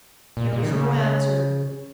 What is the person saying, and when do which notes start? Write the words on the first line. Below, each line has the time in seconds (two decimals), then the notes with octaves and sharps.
There was no answer.
0.37 A#2
0.53 A#2
0.63 D#3
0.68 C#3